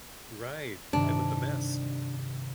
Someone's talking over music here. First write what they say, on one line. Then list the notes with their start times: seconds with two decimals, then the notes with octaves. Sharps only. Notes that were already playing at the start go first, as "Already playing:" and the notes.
Right, and the mess.
0.93 G2 C3 D#3 D4